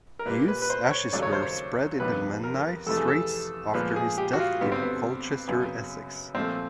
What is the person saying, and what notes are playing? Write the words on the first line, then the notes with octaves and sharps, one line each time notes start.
Hughes' ashes were spread in the Menai Straits after his death in Colchester, Essex.
A#4
A#2 G3 A#3 B4
B4
B4
C5
C#5
D#2 C#3 F#3 A3 D5
C#5
C5
C#5
F2 C3 D#3 G3 B3 B4
A#4
F2 C3 E3 A3 A4
G#4
A4
A#2 F3 G#3 B3 B4
G#4
G4
F#4
F4
G2 D3 G3 B3
C4
B3
F#2 C#3 F#3 B3
A#2 F3 A3 C4